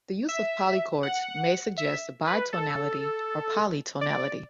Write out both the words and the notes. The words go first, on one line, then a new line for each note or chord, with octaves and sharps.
The use of polychords may suggest bitonality or polytonality.
E5
F#5
E5
B4
A4
D5